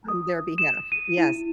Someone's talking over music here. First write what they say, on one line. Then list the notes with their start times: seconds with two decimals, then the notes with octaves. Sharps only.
on their behalf Yes.
0.08 D#6
0.58 E7
0.92 D#7
1.18 E4